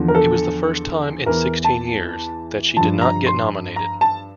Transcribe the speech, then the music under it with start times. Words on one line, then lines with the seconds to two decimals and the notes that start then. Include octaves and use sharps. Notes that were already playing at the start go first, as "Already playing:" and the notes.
It was the first time in sixteen years that she did not get nominated.
Already playing: E2 D3 F3
0.08 A#4
0.15 A4
1.26 E2 E3 A#4
1.64 A5
2.77 G2 F3 A5
3.01 A#5
3.27 C6
3.76 A#5
4.01 A5